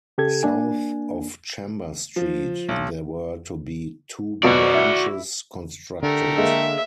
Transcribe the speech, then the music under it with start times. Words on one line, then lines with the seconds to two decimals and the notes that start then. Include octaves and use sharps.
South of Chambers Street, there were to be two branches constructed.
0.18 C#3 G4 A4 G#6
0.43 A#3 D4 G#5
2.16 F3
2.69 B1
4.43 B2 F#3 F#4 D5
4.75 E4
6.03 D3 A3 G4 A#4
6.38 G#3 A#3 E5